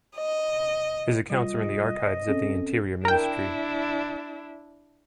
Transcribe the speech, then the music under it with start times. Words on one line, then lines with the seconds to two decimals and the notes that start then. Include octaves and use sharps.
His accounts are in the archives of the Interior Ministry.
0.16 D#5
1.30 G3 F4 D#5
2.28 C4 C#4 A4
3.05 D4 E4 A#4 G5